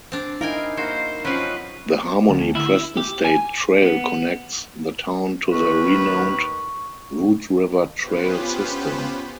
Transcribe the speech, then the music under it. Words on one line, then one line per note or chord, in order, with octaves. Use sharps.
The Harmony-Preston State Trail connects the town to the renowned Root River Trail system.
C4 D4
D#4 E4 A#4 F5 G5 G#5
A#3 F#4 C5
F3 F#3 C4 C#4 B4
D2
E4
G4
G#5
B3
D#2 D#3 B4 C#6
B3 C#4 F4 G4 B4 C5